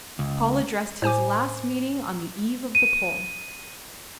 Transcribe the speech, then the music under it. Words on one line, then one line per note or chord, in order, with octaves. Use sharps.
Paul addressed his last meeting on the eve of the poll.
C#2
A2 C5 G#5 D6
D#7